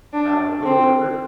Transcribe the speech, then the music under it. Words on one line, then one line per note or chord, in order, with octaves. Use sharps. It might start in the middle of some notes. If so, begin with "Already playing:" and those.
Uh, but what about
D4
C4